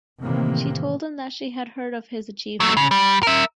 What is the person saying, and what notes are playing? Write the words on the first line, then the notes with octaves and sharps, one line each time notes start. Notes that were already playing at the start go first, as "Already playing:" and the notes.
She told him that she had heard of his achievements.
A2 C3 D#3 E3 A#3
F#3 A3
C#3
G3
A#4 E5